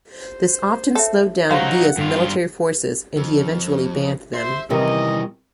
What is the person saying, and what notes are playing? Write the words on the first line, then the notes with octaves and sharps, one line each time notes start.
This often slowed down Villa's military forces and he eventually banned them.
C5
A4 C#5 E5
F#3 D#4 G4 C5 C#5 F5 F#5
G2 F4
F2
C5 E5 C6
E2 C3 D#3 E3 G3 D#5